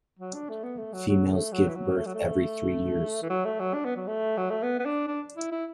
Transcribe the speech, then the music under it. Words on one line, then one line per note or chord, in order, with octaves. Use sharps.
Females give birth every three years.
F#3
D4
A3
B3
A3
F#3
F#3
A3
F#3
E3
F#3
A3
F#3
A3
E3
F#3
A3
F#3
D4
B3
F#3
A3
F#3
A3
B3
B3
D4
D4
E4
E4